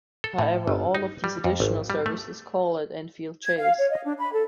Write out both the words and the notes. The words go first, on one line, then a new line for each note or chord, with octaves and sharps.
However, all of these additional services call at Enfield Chase.
A4
A2
G1
D#4
G3
F2
G#1
G3
A3
G#6
F5
C#5
D#5
D4
B5
A4